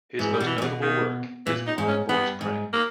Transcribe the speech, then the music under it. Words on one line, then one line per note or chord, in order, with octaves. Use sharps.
His most notable work is "Blind Boy's Pranks".
G#2 E3
G3
B2
E3
A#2
B2
D#3
A#2 E3
D#4
G#2
C#4
G2 B3
G#2
A#3